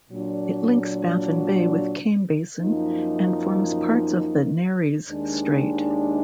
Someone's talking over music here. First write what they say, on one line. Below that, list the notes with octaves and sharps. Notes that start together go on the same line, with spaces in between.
It links Baffin Bay with Kane Basin and forms part of the Nares Strait.
A#2 F#3 D4
F#2 F3 A#3 D#4
D#2 D#3 G#3 D4